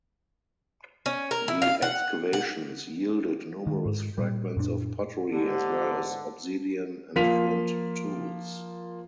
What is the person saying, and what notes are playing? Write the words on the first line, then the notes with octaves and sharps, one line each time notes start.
The excavations yielded numerous fragments of pottery as well as obsidian and flint tools.
C#4
A#4
E4
F5
F#5
F#5
D#3 G#3
G#2
A#2 G3
F#2 A#2 A#3 D4
G#2 D3 G4
F3 A#3 F4 B6 D#7 F7